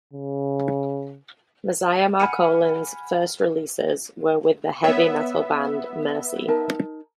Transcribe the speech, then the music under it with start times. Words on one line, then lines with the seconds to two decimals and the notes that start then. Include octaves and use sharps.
Messiah Marcolin's first releases were with the heavy metal band Mercy.
0.14 C#3
2.19 F#5 G#5 B5 F6 C#7 D#7
4.84 B3 C#5 E5
6.48 D#4 A#4 A5